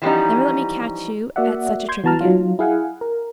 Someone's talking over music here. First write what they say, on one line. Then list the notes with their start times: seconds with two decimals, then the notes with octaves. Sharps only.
Never let me catch you at such a trick again.
0.02 E3 F3 G3 B3 C#4 D#4
1.36 A#3 F#4 D5 E5 F#5
1.89 C6 G6 G#6
2.04 E3 B3 F#4 A5 A#5 F6
2.21 F#3 D#4 F4
2.59 E4 G#4 F5 F#5 G#5
3.01 A#4